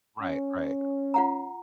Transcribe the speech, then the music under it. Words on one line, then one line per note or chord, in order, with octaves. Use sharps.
Right, right.
C#4
F4 F#5 A#5